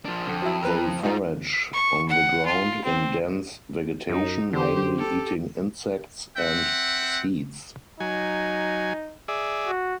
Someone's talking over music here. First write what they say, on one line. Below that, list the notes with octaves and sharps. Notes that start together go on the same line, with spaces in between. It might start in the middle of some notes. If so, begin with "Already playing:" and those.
They forage on the ground in dense vegetation, mainly eating insects and seeds.
F3 D4
F2 D3
F#3 E4
A#4 B4
G#2 D#4 F4
C#6
F#5
F4
C4
F#2 D#4
D3 G4 C5
G4 A4
C4 E5 F#5
F#3 D#4 G#5
G#4 D5 E5
F#4